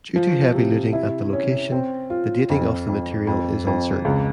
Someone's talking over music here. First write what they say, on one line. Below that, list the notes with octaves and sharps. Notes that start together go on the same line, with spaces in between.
Due to heavy looting at the location, the dating of the material is uncertain.
F3
C3
E4
C#4
C4
F4
F2
F2
F2
F2
C#2